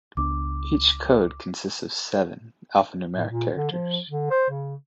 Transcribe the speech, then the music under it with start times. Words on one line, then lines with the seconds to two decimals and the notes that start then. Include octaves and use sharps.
Each code consists of seven alphanumeric characters.
0.17 C#2 B3 D4 D6
3.16 A2
3.30 A#2
3.56 D3
3.72 F3
4.10 D3
4.31 C5
4.50 C#3